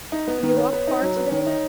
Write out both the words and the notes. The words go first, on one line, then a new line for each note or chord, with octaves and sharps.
"Have you walked far to-day?"
D#4
B3
D#3
B4
B3 C#5
B3
D#4
F#3
B3
D#3
D#4